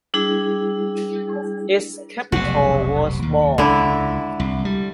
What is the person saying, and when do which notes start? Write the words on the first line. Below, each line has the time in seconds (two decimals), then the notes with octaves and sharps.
Its capital was Bol.
0.14 G3 D4 E4 G#4
2.32 F1 B1 C3 F#4
3.22 D#2
3.58 C#2 D3 E4
4.40 C2
4.65 G3